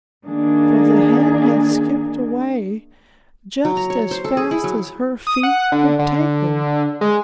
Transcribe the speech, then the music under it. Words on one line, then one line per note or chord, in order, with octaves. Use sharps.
For the Hen had skipped away just as fast as her feet would take her.
D#3 A#3 D4 G#4
F#3
A#5
C#5
C5
A4
G#4
E4
F#3
D#6
F#5
D3
D3
G#3